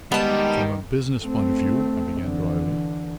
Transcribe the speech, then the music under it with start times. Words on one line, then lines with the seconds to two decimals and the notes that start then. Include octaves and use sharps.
"From a business point of view----" I began dryly.
0.12 D#3 G3 G#3 B3 A5
1.22 A3 C4
2.22 D3 E3